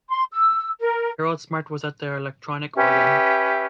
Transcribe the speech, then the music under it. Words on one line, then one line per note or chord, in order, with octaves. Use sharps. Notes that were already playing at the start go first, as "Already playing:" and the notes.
Harold Smart was at the electronic organ.
C6
E6
A#4
C#4 G4 B4 E5